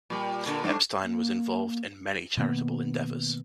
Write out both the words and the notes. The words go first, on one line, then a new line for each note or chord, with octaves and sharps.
Epstein was involved in many charitable endeavors.
A#2 G3
A#2 D3
G2 A3 D4
A#3
B2 D#3 A#3 B3